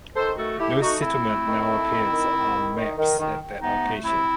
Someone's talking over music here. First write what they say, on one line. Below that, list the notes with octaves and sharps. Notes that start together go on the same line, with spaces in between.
No settlement now appears on maps at that location.
D#3 A4 C5
A3 F#4 A4
A3 E4 G4
A3 D#4 F#4
A3 C4 E4
A3
D#3
A3
D#3
D#3
D#3
D#3
D#3
D#3
D#3
D#3
C3 B3 D#4
A3
C3 C4 E4